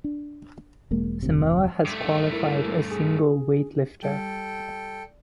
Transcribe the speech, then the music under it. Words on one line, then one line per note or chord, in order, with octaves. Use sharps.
Samoa has qualified a single weightlifter.
D4
E1 G#3 A#3
F1 D2 C3
G2 A3
E4 A#4
G#4
G3 A4 G5